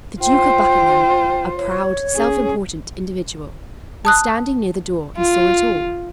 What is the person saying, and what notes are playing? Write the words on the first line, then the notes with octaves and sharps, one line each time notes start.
The Duke of Buckingham, a proud, self-important individual, was standing near the door and saw it all.
F4 C5 G5
C#5
C#4 G#4
A5 D#6 F#6
F4